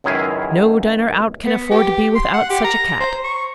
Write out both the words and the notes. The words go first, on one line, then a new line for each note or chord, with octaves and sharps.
No diner-out can afford to be without such a cat.
C#2 F#2 D#3 E4 G#4 F5
B3
G4
C6
F#5
G4
A#5
C5
C#6